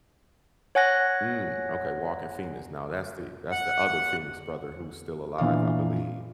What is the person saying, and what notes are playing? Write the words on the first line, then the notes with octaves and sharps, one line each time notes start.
Mm, okay. Joaquin Phoenix. Now, that's the that's the other Phoenix brother who's still alive, I believe.
C#5 F#5 G#5 F#6 A#6
F#5
A#2 E3 D4 F5